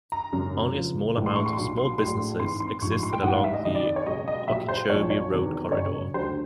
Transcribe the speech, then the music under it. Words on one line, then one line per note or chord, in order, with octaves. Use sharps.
Only a small amount of small businesses existed along the Okeechobee Road corridor.
A#5
G#1 F#2 C#3
E2 C#3 F3
A#1 A2 E3
C6
C#6
C6
B1 A#2 F#3 C6
C6
A#1 A2 F#3 C6
G#1 G#2 E3 C6
C6
A1 G#2 F3 C#6
C6
C6
G5
A1 G#2 E3 F#5
F5
E5
D#5
F2 C3 D#3 D#5
D5
D5
C#5
C#2 B2 F#3 D#5
D#5
A#1 A#2 F#3 E5
C5
B1 A#2 F3 C#5
C#5
E2 C3 D#3 F#3
G1 F#2 C#3 C#5
D2 D3 F#3 C5